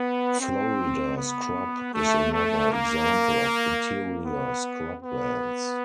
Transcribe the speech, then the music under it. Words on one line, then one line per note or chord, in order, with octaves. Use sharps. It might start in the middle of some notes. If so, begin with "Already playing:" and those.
Florida scrub is another example of interior scrublands.
Already playing: B3
C4
B3
A3
A3
A#3
B3
B3